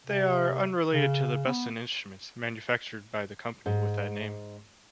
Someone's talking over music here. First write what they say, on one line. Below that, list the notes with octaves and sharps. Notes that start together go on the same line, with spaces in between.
They are unrelated to the Besson instruments manufactured by the company with that name.
C3
C#3
B3
G#2